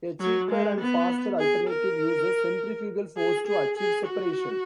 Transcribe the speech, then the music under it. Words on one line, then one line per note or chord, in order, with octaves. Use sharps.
A cheaper and faster alternative uses centrifugal force to achieve separation.
F#3
G#3
B3
G#4
A#4
G#4
G#4
G#4
F#4